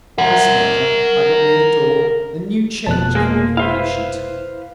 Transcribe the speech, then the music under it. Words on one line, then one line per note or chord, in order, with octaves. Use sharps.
As, however, I got near the door, a new change came over the patient.
A#4 F#5
F1 F2 B2 A5 F#6
G#3 A#3 G#4
E4 B4 C5 F5